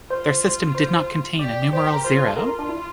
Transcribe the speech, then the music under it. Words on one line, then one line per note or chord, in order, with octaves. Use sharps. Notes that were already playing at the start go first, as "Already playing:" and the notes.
Their system did not contain a numeral zero.
F4 C5
C5
G4 D5
D5
G4 C5
A#4
F4 C5
A4
F4 A#4
D4
E4